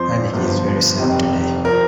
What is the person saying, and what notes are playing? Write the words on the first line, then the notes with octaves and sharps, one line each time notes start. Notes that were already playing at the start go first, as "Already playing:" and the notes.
Hardik is very sad today.
Already playing: F2 F3 C5
G1 G2 F3
F1 F2 C3 D#3 G3
F3 A#4